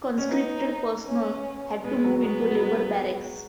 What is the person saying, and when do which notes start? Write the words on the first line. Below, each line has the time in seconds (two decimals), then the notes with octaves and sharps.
Conscripted personnel had to move into labour barracks.
0.18 C#4
0.29 B3 D#4
1.06 C#4
1.84 G#3 B3
1.97 G#3
2.04 F#3
2.16 F#3
2.23 G#3 B3
2.42 F#3
2.55 F#3
2.62 G#3